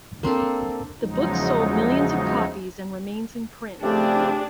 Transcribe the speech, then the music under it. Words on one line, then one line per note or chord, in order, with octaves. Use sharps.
The book sold millions of copies and remains in print.
A#3 C4 D4 A4
E2 C#3 F3 F#3 G#3 D#4
C#3 F3 A3 C4 D4 G4 G#4